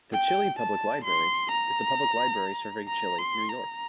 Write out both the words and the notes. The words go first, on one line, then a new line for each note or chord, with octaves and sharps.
The Chili Public Library is the public library serving Chili, New York.
G5
A5
C6
A#5
A#5
C6
A#5